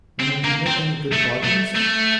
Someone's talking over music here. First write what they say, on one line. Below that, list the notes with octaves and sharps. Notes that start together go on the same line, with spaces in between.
'And did you make any good bargain yourself?'
C4
A#3
C4
A3
A3
A3